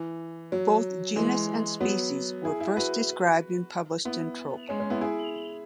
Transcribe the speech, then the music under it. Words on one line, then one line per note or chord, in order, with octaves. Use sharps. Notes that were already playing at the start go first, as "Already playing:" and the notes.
Both genus and species were first described and published in Trop.
Already playing: E3
F#3
E3 G#3
F#3 B3
E4 G#4
E4 G#4
F#4 B4
B3 E4
G#3 C#4
G#3 C#4
B3 E4
E4 G#4